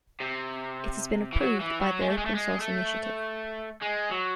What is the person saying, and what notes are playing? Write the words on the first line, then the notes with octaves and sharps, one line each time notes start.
It has been approved by the Open Source Initiative.
C3
E3
F#3
E3
F#3
G#3
A3
G#3
A3
G#3
A3
G#3
F#3